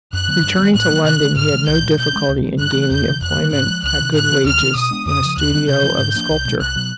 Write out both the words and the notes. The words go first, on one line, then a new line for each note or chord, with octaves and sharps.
Returning to London, he had no difficulty in gaining employment at good wages in a studio of a sculptor.
F#2 F#6
D3 F#3 B3
G2
D#3 F#3 B3
A2 F#6
F#3 A#3
C3 F#6
D#3
G#3
G#2 F6
D#3 G#3
C2 G6
A#2 G3
B2 G6
G#3 C#4
D2
C#3 F3
G2 F#6
E3 A3
E2 G6
C3 E3
F2 F#6
D3 G3 A#3
G#2 F#6
F3 G#3
C#2 F#6
C3 D#3
A2 F#6
E3 G#3 C4
D#2 F6
D#3 G3 C4
B2 D#6
G#3 B3 D4
F2 D#6
C#3 F3
D#2 F#6
D#3 G3 C4
C3 G6
F3 A#3 C#4
G#2
F3 A#3 D4
C2
B2 G#3
C2 F#6
B2 F#3